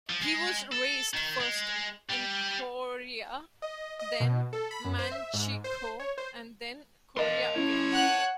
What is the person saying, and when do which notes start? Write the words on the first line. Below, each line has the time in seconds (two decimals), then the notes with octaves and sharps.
He was raised first in Korea, then Manchukuo, and then Korea again.
0.10 F3
0.22 G#3
0.72 A4
1.13 D#3
1.40 G#3
2.09 G3
3.62 D#5
3.99 D#5
4.20 B2
4.53 A4
4.71 B5
4.84 F#2
4.99 C5
5.11 E5
5.33 G#2
5.64 C5
6.00 C#5
6.18 C5
7.17 D4 A#4 D#5 F5 A5 C6
7.56 C#4 E4 C#5
7.92 F#5 F#6